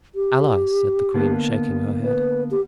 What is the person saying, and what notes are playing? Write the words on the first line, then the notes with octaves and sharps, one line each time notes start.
"Allies!" said the queen, shaking her head.
G4
D3 A#3 B3
B4
G4